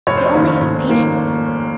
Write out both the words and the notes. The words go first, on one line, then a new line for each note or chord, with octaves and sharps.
But only have patience!
F1 C#5
C5
C#5
D#2 D#3 A#3 C#4
F1
D#3 A#3